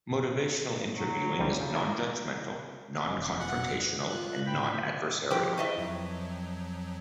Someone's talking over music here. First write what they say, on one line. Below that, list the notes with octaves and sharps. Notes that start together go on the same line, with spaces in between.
Motivational interviewing is non-judgmental, non-confrontational and non-adversarial.
F#3
D2 G3
C#3
A#3 E4 A4
F1 C#4 D#5 G#5
F#4 F#5
F4 F#6
A2 G5 B5
F3 F4 G4 G#4 C5 G5
E4 B4 D#5 E5 G5 C#6
F2 F3 F#3